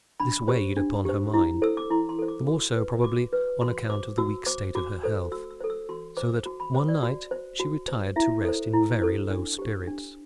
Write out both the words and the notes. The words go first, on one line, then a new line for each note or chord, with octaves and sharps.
This weighed upon her mind, the more so probably on account of the weak state of her health; so that one night she retired to rest in very low spirits.
D4 B5
G4 C5
D4
G4 C5
E4
A4 C5 E6
D6
E4 C6
C6
A4 C5
D6
F#4
B4
F#4 D6
B4
F#4 C6
C5 D6
F#4 E6
C5 D6
F#4 D6
A4 C5
F#4 E6
E6
A4 C5
E6
F#4 C6
C5 D6
F#4
B5
C5
D5
F#4
C5
F#4
C5
E4 E5
A4 C5
E4
A4 C5
D4
G4 C5
D4